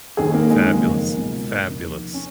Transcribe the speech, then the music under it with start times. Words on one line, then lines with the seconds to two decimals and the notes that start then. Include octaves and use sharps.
Fabulous, fabulous.
0.17 D#2 D#3 G#4
0.34 A#3
0.50 G#3
0.66 F#1 F2 D#3 A#3
1.16 C#2 B2
1.65 F1 D#2 D#3
2.14 C#4